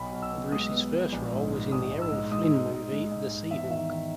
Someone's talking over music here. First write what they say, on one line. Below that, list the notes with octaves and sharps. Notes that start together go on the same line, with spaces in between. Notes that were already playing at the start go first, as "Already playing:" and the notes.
Bruce's first role was in the Errol Flynn movie The Sea Hawk.
Already playing: B1 B5
B1
E6
B3
G#3 D#6
B3
G#3
A#1
G#2
G#3
A#1 D#6
G#2
E6
G#3
G#2 D#6
G#3
G#2
G#3
G#2
G#2
E2 E5
D#3 E5
D#3